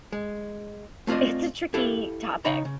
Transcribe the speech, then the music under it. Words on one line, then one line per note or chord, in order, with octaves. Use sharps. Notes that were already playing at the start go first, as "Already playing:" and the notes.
it's a tricky topic,
G#3
A3 C4 F4 D5 D#5
E4 G4 A4 E5 F5
C#3 D#4 C#5 G5 A#5 B5
C#3